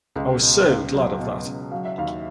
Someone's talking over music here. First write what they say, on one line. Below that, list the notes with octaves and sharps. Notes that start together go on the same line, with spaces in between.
I was so glad of that.
C#2
B2
C#2
F#3
B2
C#2
F#3 F5
E5
D#2 F5